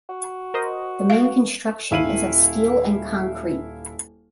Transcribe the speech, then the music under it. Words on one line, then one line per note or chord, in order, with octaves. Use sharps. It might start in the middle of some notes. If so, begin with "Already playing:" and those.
The main construction is of steel and concrete.
F#4
A#4 C5 D#5
F5
D#1 E4 F5 D#7 F#7